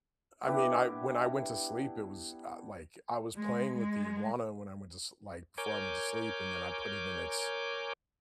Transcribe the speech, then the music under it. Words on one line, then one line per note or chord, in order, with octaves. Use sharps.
I mean, I when I went to sleep, it was, uh, like I was playing with the iguana when I went to s like, before I went to sleep, and then I put it in its
B3 D4 E4 G4
G#3
G#3
A#4 C#5 G#5 D6 G6